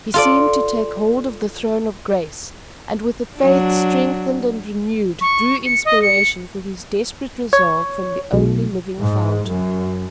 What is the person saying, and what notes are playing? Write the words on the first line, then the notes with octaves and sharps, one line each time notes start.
He seemed to take hold of the throne of grace and, with a faith strengthened and renewed, drew inspiration for his desperate resolve from the only living fountain.
F4 A4 D5
F#3 D4
C#6
C#7
D#5
C#7
C#5
B1
G#2
F#2